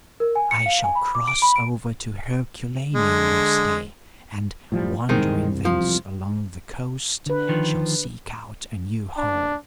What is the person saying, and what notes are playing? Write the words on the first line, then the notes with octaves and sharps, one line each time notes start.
'I shall cross over to Herculaneum this day, and, wandering thence along the coast, shall seek out a new home.
A#4
G#5
C#7
F5
G#5
B5
D6
D7
B5
D7
D3 G#3
A2 F3 G3
E1 C2 D#3 G#3 C4 D#4
F3
D3 B4
D#3 F3
D4